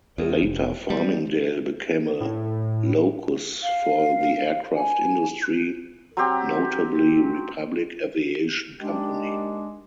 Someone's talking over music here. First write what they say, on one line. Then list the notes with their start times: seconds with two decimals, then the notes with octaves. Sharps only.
Later, Farmingdale became a locus for the aircraft industry, notably Republic Aviation Company.
0.18 E2
0.43 F1
0.90 G3
2.20 A2
3.63 F5
4.75 G#5
6.17 F#3 C4 G4
8.81 G#3 A#3 D4 D#4 G4